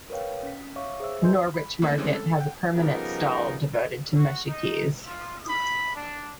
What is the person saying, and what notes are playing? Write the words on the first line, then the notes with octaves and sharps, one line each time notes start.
Norwich Market has a permanent stall devoted to mushy peas.
A#4 B4 C#5 F5 G5
C#4 B6
C#5 E5 F5 C#6 D6
G#4 C5 E5 E6
B4 D#5 G#5 C6 G6
B5
E3 A3 A#3 C#4 E4
D3 E3 G3 G#3 C4 C#4
A4
F#5 G5
C#3 F3 G3 B3 D#4 A#4
F#4
D#4
F4
B5
D4